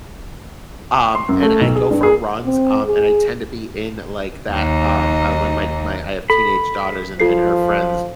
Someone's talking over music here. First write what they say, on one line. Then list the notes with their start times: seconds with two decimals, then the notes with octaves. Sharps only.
Um, and I go for runs, um, and I tend to be in like that, um I like my my I have teenage daughters and and her friends,
1.15 C6
1.29 F#2
1.43 A3
1.61 B1
1.76 G#4
1.91 G2
2.03 G#4
2.45 C4
2.85 G#4
4.51 D#2 D#4
6.30 A4 B5
7.20 F3 F4 A4 C7